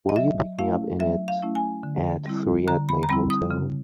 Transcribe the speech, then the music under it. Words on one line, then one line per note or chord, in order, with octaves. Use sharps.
Will you pick me up in it at three at my hotel?
D#5
F#3 E5
A3 C#4 E4 F5
F#3 E5
F5
A3 C#4 E4
G#5
D3
G3 C4 E4
D3 A#5
B5
A#5
G3 C4 E4 B5
D#6
C#3